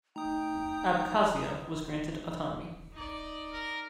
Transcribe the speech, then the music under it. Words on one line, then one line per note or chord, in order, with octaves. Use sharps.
Abkhazia was granted autonomy.
A3 D#4 G5 A#5 D#6
D#4 D5
A#4